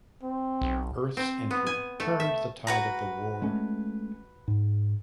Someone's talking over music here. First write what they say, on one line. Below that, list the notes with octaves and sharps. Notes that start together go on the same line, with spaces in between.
Earth's entry turned the tide of the war.
C4
B1
C4
B3
G#5
A3
E5
F#4 B4 A#5
G#3 A3 C#4
G#2